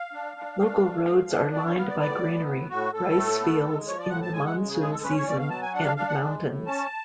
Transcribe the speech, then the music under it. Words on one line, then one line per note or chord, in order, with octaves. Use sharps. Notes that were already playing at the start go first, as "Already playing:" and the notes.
Local roads are lined by greenery, rice fields in the monsoon season, and mountains.
Already playing: F5
D4
D4
D4
A3
F3
D4
B3 D5
C#5
B3 F5
D5
A2 D5
B3
A2
A2 F#4
A2 A4
A3
B3
G#3
F3 C#5
D5
A2 F#5
A5
G#3 G#5
F#5
C#3
G#4
G#3 G#4
A4
C#4 B4
C#5
B2 D5
F5
F#3 A5
G#5
D4 F#5
F5
D4 F5
F#5
G#3
A2
C#4 A5